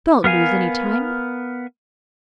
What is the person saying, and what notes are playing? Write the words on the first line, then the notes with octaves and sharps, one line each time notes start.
Don't lose any time.
B3 A#4 F5 G#5